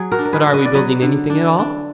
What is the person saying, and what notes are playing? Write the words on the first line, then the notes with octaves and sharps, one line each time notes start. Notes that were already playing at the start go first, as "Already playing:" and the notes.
"But are we building anything at all?"
Already playing: F#3 G#4
F#4 A#4
D4
A#4
G#4 B4
D4
B4 D#5
D5
F#3 B4 D#5
D3
D4
D4